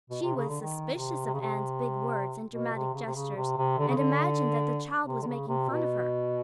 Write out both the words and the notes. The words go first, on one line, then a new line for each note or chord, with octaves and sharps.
She was suspicious of Anne's big words and dramatic gestures and imagined that the child was making fun of her.
B2
C3
C#3
D3
D#3
C3
C3
C#3
C3
B2
C3
C#3
C3
C#3
C3
C3
D3
C#3
D3
C3
D3
C#3
C3
B2